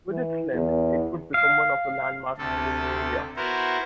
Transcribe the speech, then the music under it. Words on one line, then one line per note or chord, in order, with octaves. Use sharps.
With its length, it would become one of the landmarks within the area.
E3
E2
F5
D2 C3 A4
B3 E4 F#4 A#4 C5